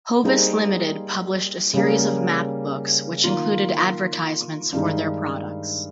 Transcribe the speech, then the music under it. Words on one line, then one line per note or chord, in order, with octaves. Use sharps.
Hovis Limited published a series of map books which included advertisements for their products.
G3 A#3 D#4 G#4 C5
C#3 G3 A#3
D#3 A#3 F4
G2 D#3 G#3 D#4